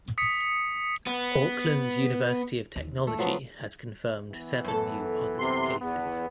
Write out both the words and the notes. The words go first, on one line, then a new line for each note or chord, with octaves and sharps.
Auckland University of Technology has confirmed seven new positive cases.
D#6 B6 C#7
B3
D#2
A3
F3 F#3 B3
E3 B3
F#2 A4
C3 C6
E2 B3